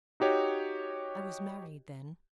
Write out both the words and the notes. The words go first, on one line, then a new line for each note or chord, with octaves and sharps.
I was married then.
D#4 F#4 G4 C#5 D#5